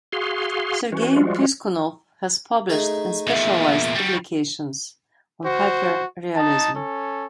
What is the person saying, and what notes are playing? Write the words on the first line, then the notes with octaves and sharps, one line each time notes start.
Sergey Piskunov has published in specialized publications on hyperrealism.
F#4 G#4 F5 C6
E3 C#4 F#4
F3 G3 G#3 F4 F#4
A3 D#4 G#4
E2 A#2 E5
G3 F#4
F#4 C5
D#4 A5
C#4 A4